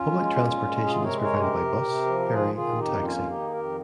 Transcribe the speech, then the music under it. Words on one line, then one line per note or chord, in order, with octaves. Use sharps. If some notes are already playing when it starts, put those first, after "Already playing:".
Public transportation is provided by bus, ferry and taxi.
Already playing: C#4 F4
G#3
A#2
G#3
C3 F4 G#4
A#4 C#5
G#3
A#4 C#5
C3
G4 A#4
C3
C3
F3
G4
D#3 F4 G#4
D#3 F4 G#4
F2 D#4 G4
A#3 C#4 F4
F4
D#3 D#4 G4
G#4
F2 G4 A#4